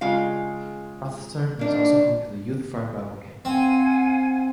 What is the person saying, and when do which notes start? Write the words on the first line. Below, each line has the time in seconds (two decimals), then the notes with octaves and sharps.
Rosthern is also home to the Youth Farm Bible Camp.
0.01 C#3 G#3 F4 F5
1.59 A#3 D4 D#4
3.45 C4 F5 F#5 G#5